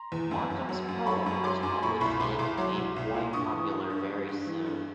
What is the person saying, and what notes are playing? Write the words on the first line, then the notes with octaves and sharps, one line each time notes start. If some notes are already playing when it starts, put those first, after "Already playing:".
Markham's poem was published, and it became quite popular very soon.
Already playing: A#5 C6
E2
F#2
F#2
F#3
F#2
F#3 B5 C#6
F#2
F#3 C6 D6
F#2
A#2 B5 C#6
C2 B5 C#6
C2 C6 D6
C2 C6 D6
F#3
C2
C2
A#2
G2 C#6 D#6
E3
G2
G2
G2
G2
E3
G2